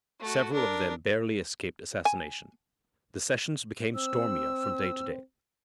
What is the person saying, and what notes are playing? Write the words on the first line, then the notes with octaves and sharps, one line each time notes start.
Several of them barely escaped assassination. The sessions became stormier from day to day.
A3 F#4
D4 A#4
G#5
C4 E6